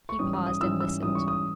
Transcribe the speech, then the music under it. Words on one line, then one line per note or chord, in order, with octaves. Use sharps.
He paused and listened.
C#6
G#2 E3 G3 C#4 D#6
D#6
D#6
G#2 E3 G3 C#4 E6
E6
G#2 E3 G3 C#4 D#6
C#6
D#6